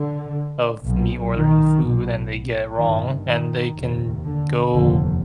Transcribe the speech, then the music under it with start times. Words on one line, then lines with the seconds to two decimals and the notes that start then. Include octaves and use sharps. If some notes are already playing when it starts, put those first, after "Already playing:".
of me ordering food and they get it wrong, and they can go
Already playing: D3
0.85 B1 B2
1.33 D#3
1.82 B1 B2
2.79 G1 G2 D#3
3.27 D#3
3.75 F1 D#2
4.24 D3
4.72 F1 D#2 D3